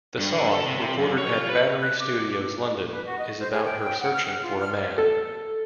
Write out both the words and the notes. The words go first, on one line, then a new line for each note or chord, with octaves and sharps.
The song, recorded at Battery Studios, London, is about her searching for a man.
G2
D3
A4
C3
C3
F#2
C#5
F4
B4
F#6
D6
B4
F#4
D#5
C5
G#4
G5
G5
F#5
F6
F#5
F4
F6
A4